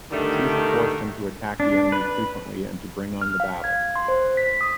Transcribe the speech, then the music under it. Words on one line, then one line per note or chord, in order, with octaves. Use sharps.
Caesar forced him to attack the enemy frequently and to bring on the battle.
D3 D#3 G3 A3 D4
D4
B4
F6
F5
G#6
C6
C5
B6
D#6